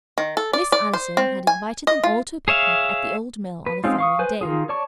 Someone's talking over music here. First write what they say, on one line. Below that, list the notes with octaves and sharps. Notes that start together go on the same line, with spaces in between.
Miss Allison had invited them all to a picnic at the old mill on the following day.
D#3
A4
D5
D5
C5
C4
G#5
D#5
F4
G#4 C#5 E5 F5
B4
G#3 C4 C#4 D#4 F4
F5 C#6 D#6
B4 C5 G#5
D#3 F4 G#4
C#5 D5 A5 C#6